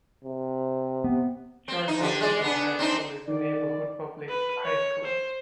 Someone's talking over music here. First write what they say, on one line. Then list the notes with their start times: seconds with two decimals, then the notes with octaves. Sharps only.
George Washington High School is the neighborhood public high school.
0.24 C3
1.04 B3
1.68 C4
1.88 D#4
2.00 D3 G4
2.21 G#3 D5
2.42 B3 D4
2.79 C4 D4 D#4
3.28 D#3 D5
4.29 B4
4.64 C#5
5.04 C5